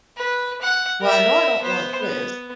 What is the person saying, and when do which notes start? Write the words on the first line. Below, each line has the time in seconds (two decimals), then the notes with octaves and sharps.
"Well, I know I don't want this."
0.17 B4
0.62 F#5
1.01 A#4 E5
1.62 B3 C5
2.00 B3